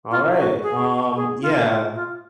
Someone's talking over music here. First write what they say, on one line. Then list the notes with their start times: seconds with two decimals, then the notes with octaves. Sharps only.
Alright, um, yeah.
0.11 F4
0.37 F#4
0.63 G#4
1.16 G#4
1.42 F4
1.68 F4
1.95 F4